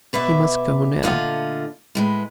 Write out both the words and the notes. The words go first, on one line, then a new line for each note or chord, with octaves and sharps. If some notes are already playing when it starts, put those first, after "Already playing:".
He must go now.
B2 B4 D5 E5
A#2 D3 A3 F4 D#5 F#5
A2 G#3 B4